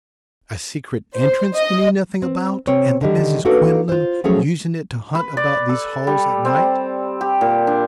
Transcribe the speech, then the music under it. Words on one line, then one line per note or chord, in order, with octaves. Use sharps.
A secret entrance we knew nothing about and the Misses Quinlan using it to hunt about these halls at night!
C5
D#5
C4
C3 C4 C#5
D3 D#3 G3
A#3 D4 D#4 F#4 A4 B4
F4 C5
F3 F#3 A3 C#4 G#4
B4
D5
A4
G3
C4
G4
A#2
D4